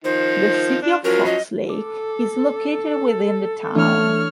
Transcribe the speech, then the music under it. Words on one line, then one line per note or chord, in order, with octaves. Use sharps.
The City of Fox Lake is located within the town.
D#3 F3 C5
D4
F3 F#3 C#4 A#4
D#5
A4 D6
E3 A3 D4 C#5 F6